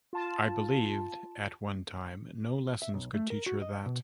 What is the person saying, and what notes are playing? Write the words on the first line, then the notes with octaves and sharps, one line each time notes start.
I believed, at one time, no lessons could teach her that!
F4 A5
E5
B1
A3
A#4
F#4
D#5
B2